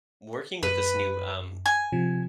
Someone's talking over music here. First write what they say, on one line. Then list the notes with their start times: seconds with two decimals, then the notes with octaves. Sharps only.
working with this new, um,
0.63 F#2 B4
1.66 G#5
1.92 C3 F3